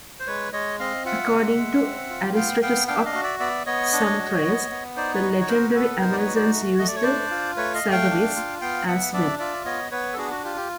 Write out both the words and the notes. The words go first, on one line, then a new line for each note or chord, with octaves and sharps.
According to Aristarchus of Samothrace, the legendary Amazons used the "sagaris", as well.
C5
G#3 B4 C#5
G#3 C#5 D#5
C4 D#5 F5
F4 E5 F#5
G#3
G#3
C4
F4
B3 F5 G5
B3 F5 G5
D4 F5 G5
E5
D#5 F5
F#4
D5 E5
B3 D5 E5
B3 C#5 D#5
D4
F#4
B3
B3
D#4 C5 D5
B4 C#5
F#4
C#5
B3 A#4 C5
C5
B3 A4 B4
D#4 A#4 C5
D5
B4 C#5
F#4
C5 D5
A3
A3 D#5
D5
C#5
D4 C5 D5
F4
A3 B4 C#5
D#5 F5
A3
F5 G5
D4
F4
B3 F5 G5
B3 E5 F#5
D4 D5 E5
F4 D5 E5
B3 C#5 D#5
B3 B4 C#5
A4
D4 F#4 G#4
F#4
F4 G4
G4